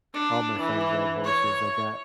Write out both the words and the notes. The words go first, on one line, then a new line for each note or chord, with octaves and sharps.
all my friends ride horses. I got,
D4
E3
C#5